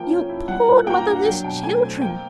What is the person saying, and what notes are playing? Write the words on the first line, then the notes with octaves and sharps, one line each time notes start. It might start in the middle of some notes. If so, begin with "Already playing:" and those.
'You poor motherless children!
Already playing: F3 A#3 G5
C#4
E4
G3 F#5
A#2
A#3 G5
A#5
D4 G5
F#5
F#3 G5
B2 G5
A3 G#5
C4
A#3 G5